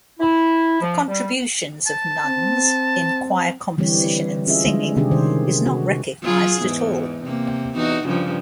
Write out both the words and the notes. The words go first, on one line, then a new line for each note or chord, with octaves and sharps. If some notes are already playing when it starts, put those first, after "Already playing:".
The contributions of nuns, in choir composition and singing, is not recognized at all.
E4
F3
G3
A5
C4
D3 E3 G3 C4 G4 C#5
C#4 F4 G#4 D#5 E5
D3 G3 G#3 D#4
C3 D#3 C#4 D4 G4 G#4
C3 D#3 C5
F#4
F#3 F4 G#4
E2 G#2
C3 A#3
E2 D#4 F#4
G2 C#3 F3